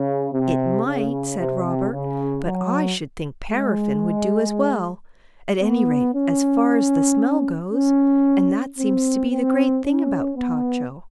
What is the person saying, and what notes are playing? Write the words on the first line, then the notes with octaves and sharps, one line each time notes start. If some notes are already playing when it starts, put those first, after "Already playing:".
'It might,' said Robert; 'but I should think paraffin would do as well--at any rate as far as the smell goes, and that seems to be the great thing about Tatcho.'
Already playing: C#3
C3
C#3
C3
C#3
F#3
G#3
B3
C#4
C#4
C4
C4
C#4
B3